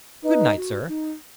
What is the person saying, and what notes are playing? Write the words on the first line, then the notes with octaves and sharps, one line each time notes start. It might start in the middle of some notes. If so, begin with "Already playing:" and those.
Good-night, sir.
D#4 B4
F#4
D#4